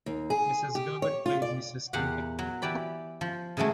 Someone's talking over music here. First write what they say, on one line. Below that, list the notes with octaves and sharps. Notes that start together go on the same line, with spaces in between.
Mrs. Gilbert played Mrs. Kinpeck.
D#2
G#4
G4
C#5
F4
D5
E2 A#2 G4 F5 F#5
F#3
E3 G4 D5 B5
F3
C#3 E3 F#3 G#3 A3